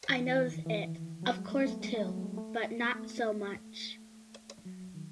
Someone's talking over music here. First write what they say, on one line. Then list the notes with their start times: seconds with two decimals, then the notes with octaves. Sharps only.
I notice it of course too, but not so much.
0.09 E3
0.28 E3
0.47 D#3
0.66 E3
1.23 F#3
1.38 G#3
1.51 A3
1.61 B3
1.66 A3
1.81 G#3
1.95 A3
2.09 F#3
2.23 G#3
2.37 A3
2.85 B3
2.95 A3
4.65 F#3
4.94 D#3